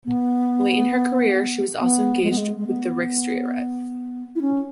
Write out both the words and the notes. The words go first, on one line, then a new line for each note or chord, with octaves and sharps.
Late in her career she was also engaged with the Riksteatret.
B3
B3
G#3
B3
G#3
G#3
B3
E4
C#4